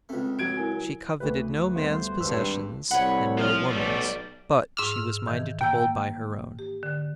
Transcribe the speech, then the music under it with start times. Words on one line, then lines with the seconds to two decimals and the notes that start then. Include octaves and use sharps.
She coveted no man's possessions,--and no woman's; but she was minded to hold by her own.
0.09 C#2 A3 C4
0.39 F#3 G#6 D7
0.57 E4 A#4 G#5
1.20 D2 B4
1.76 G3 A3 B3 C5
2.20 G#1 G2 B4 E6
2.91 C2 C#5 F#5 B5
3.38 F3 F6
3.71 B1 G3 A3 D5
4.77 G#2 D6 E6 F6
5.28 D#3 E3
5.61 A#3 G5 E6
6.59 G4
6.83 D3